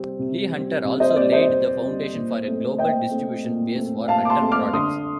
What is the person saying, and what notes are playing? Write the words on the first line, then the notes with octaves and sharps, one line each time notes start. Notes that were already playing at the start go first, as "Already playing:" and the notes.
Lee Hunter also laid the foundation for a global distribution base for Hunter products.
Already playing: C3 G3 C4
C3
G3 C4
C3
C5 D#5
G3 C4 D5
C5 D#5
C3
G3 C4
A#2
A3 C4
A#2 D#5 G5
A3 C4
A#2
A3 C4
A#2 F5 A5
D6
A5 C6
A3 C4
D6 F6
D3 C6 D#6